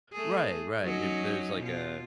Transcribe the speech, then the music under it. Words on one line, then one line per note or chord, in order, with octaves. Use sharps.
Right, right. Y if there's like a
A3 G#4
F#3 C#4 D#4
B2 F4